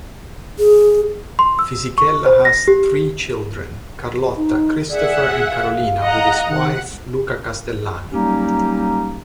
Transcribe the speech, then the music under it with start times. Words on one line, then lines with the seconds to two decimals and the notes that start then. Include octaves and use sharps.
Fisichella has three children, Carlotta, Christopher and Carolina, with his wife Luna Castellani.
0.59 G#4
1.39 C6
1.59 E6
1.98 C#6
2.26 C5
2.45 A#6
2.68 G4
4.37 D#4
4.90 G#4 D5 E5 F#5
5.46 F5
6.02 D#5 F#5 A#5
6.49 D#3 F#5
8.11 F#3 G3 A#3 C#4 D#4 G4